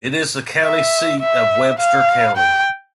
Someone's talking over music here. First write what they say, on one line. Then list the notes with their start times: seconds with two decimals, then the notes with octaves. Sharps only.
It is the county seat of Webster County.
0.62 E5
1.20 E5
1.79 F5
2.37 G5